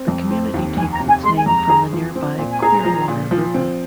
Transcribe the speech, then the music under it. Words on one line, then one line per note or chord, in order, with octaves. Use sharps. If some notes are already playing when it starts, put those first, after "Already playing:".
The community takes its name from the nearby Clearwater River.
Already playing: C4
F2
C4
D#2
F2 G#5
A#5
C3
G#5
G#3 C6
G#5
F2 A#5
G#4
F3
C4
A#2
G#5
G#4 A#5
F3
A#2
F3
C4